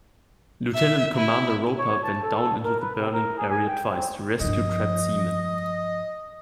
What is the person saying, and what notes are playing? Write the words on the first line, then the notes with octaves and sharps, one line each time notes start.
Lieutenant Commander Roper went down into the burning area twice to rescue trapped seamen.
E5
E4
C#5
A5
A4
A#4
B4
C3
A#4
G#4
G#5
G5
C4
G2 F3 D#5